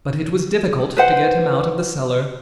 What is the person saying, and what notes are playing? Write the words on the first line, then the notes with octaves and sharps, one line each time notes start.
But it was difficult to get him out of the cellar.
B4 C5 F#5